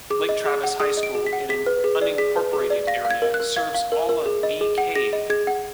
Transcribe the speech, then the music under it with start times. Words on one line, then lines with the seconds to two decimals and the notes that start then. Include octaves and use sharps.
Lake Travis High School, in an unincorporated area, serves all of Bee Cave.
0.10 G#4 D6
0.29 D#5
0.45 G#4
0.63 F#5
0.80 G#4 D#6
0.97 D#5
1.03 D7
1.15 G#4
1.26 B6
1.33 F#5
1.49 G#4 B6
1.66 B4
1.84 G#4
2.02 D5
2.18 G#4 B6
2.36 B4
2.53 G#4
2.70 D5
2.87 F5 A#6
3.05 F5
3.11 G#6
3.22 A#4
3.34 F#6
3.40 A#4
3.56 F5 G#6
3.74 F5
3.92 A#4
4.09 A#4
4.26 G#4
4.43 D#5
4.61 G#4
4.78 F#5
4.95 G#4 A#6
5.13 D#5
5.30 G#4 G#6
5.47 F#5